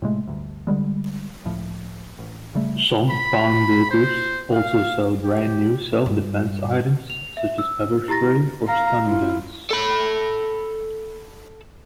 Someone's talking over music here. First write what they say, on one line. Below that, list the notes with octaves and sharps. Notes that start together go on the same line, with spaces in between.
Some pawnbrokers also sell brand-new self-defense items such as pepper spray or stun guns.
A2 C3 G#3 A3
D2 G2
D3 E3 G3 G#3
C#2 A2 F3
A1
A#1 C#3 G3 A3
B5
C5
F5
G4
G2
F7
E5
E6
E4 G4 A#5 A6 A#6
F5 A#5
E4 F4
A4 B5